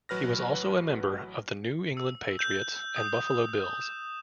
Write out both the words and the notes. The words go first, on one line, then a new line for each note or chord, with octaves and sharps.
He was also a member of the New England Patriots and Buffalo Bills.
A1 F#3 B4 F6 A#6
E6
G6
D#6
E7